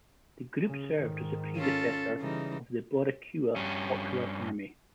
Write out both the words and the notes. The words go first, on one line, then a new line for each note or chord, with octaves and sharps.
The group served as the predecessor of the Boricua Popular Army.
C#3
G#2 D#3
C#4 F4 A4
C#3 E3 G3 D#4
G2 C#4